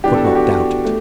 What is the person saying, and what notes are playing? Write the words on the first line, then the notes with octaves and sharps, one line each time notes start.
I could not doubt it.
E3 B3 D4 G4
A4
F#4
G4
A3